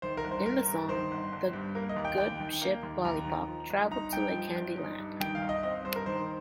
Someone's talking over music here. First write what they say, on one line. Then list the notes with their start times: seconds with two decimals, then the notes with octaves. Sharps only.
In the song, the "Good Ship Lollipop" travels to a candy land.
0.02 D#3 C5
0.17 A#4
0.24 G1
0.31 C5
0.46 G1 A#4
0.68 G2
0.88 D#3 C5
1.11 G1
1.32 G1
1.53 G2
1.75 A#3 A#4
1.89 D#5
1.96 D#2
2.05 G5
2.18 D#2 G5
2.40 D#3
2.62 A#3
2.83 D#2
3.05 D#2 A#5
3.26 D#3
3.48 F3
3.70 G1
3.91 D#4 A#5
4.13 G2 G5
4.34 F3
4.55 G1
4.77 D#4
4.98 G2
5.20 D#3 G5
5.35 F5
5.42 G1
5.49 D#5
5.63 C4 D#5
5.84 G2 C5
5.96 A#4
6.06 D#3 C5